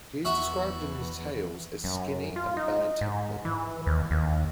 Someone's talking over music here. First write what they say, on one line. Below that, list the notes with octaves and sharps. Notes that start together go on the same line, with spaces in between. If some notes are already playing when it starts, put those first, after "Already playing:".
He is described in the "Tales" as skinny and bad-tempered.
E2 F#4 E5
F#2
F4
D#4
G#2
E3
D#2
D#2